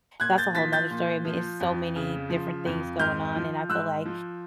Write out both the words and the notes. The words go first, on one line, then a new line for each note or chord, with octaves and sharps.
that's a whole 'nother story, I mean, it's so many different things going on, and I feel like
A#2 F#6 G#6
G6 A6
F3 A6 B6
G6 A6
A#2
F3
F2
C#3
F3
F2
G#2 F6 G6
F3
G#2 E6 F#6
F3